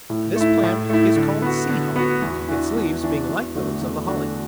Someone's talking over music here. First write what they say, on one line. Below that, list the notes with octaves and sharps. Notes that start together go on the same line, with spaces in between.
This plant is called Sea Holly, its leaves being like those of the holly.
A2
A3 E4
A2
A3 E4
D3
B3 F#4
D3
B3 F#4
E2
E3 D4 F#4
E2
E3 D4 F#4
E2
D3 A3 D4 F#4
E2
D3 A3 D4 F#4